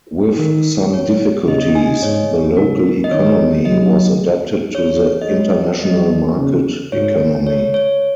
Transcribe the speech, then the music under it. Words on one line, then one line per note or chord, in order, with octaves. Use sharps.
With some difficulties, the local economy was adapted to the international market economy.
D#3 A#4
C#5
C#3 D#5
D#5
G#5
D#5
G#2 C#5
C#3 A#4
D#5
D#3 C#5
F#3 D#5
C#5
D#5
G#3 C#5
F#3 D#5
C#3
G#2 C#5
C#5
C#5